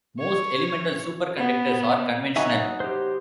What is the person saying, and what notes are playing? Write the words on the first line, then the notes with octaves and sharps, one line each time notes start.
Most elemental superconductors are conventional.
C#5
B3
F#3 B3 D#4 E5 G#5 C#6
G4 C5